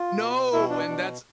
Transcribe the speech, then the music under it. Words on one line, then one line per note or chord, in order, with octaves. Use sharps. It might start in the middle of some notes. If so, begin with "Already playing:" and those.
No, and that's
Already playing: F4
B2
B2 E4
D4
B2